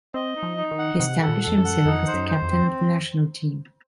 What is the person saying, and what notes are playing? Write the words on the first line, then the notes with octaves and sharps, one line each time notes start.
He established himself as the captain of the national team.
C4 D#5
D#4
F3
D#4
D#3
F#5
C3 F#5
A4
A#2
F2 A4
F#2
F#5
F2 D#4
C5
F#2
C5
F2
C4